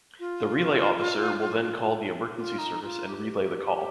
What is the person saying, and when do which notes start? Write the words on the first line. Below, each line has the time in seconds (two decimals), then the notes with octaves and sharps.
The relay officer will then call the emergency service and relay the call.
0.19 F4
2.35 F4
2.58 D#4
2.82 F4
3.06 G4